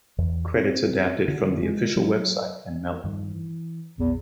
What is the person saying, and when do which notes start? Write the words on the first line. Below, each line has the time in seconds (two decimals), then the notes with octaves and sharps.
Credits adapted from the official website and Melon.
0.18 E2
0.56 C4
1.28 D3
1.62 G#3
1.96 F#3
3.04 G2 D#3 F3
3.32 E3
3.98 A#1 E2